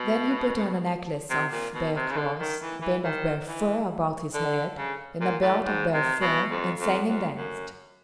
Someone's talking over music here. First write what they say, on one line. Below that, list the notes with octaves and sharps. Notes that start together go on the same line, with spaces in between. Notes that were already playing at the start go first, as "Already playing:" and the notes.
Then he put on a necklace of bear claws, a band of bear fur about his head, and a belt of bear fur, and sang and danced.
Already playing: B2
C3
A#2
B2
C3
C#3
D3
D#3
E3
E3
D#3
E3
D3
C#3
A#2
A2
G#2
C3
B2
F2
F2
F2
F#2